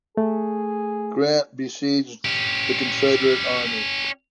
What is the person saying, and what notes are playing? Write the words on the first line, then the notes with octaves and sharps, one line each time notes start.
Grant besieged the Confederate army.
A3 G#4
C#4 G4